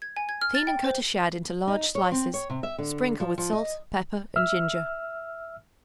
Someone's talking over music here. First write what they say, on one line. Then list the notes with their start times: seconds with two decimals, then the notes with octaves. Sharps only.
Clean and cut a shad into large slices; sprinkle with salt, pepper and ginger.
0.02 G#6
0.17 G#5
0.29 G#6
0.41 F6
0.55 A6
0.67 G5
0.84 C5
1.67 D#4
1.95 C#5
2.11 C4
2.34 C#5
2.50 C3
2.63 E5
2.78 D3
3.20 F3
3.38 F3
3.53 D#5
4.36 E5 E6 F6